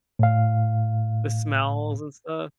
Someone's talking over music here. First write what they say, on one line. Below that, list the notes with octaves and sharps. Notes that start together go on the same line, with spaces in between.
the smells and stuff?
A2 F5